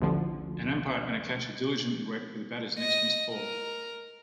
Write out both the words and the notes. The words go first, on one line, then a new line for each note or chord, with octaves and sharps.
An umpire and a catcher diligently wait for the batter 's next missed ball.
A1 D2 D3 F3
D#5
A#4